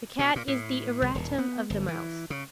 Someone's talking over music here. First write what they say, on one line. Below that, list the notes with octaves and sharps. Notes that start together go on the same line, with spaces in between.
The cat is the erratum of the mouse.
B2
A#2
A2
C2
D#1
B3
G1
E3
C#3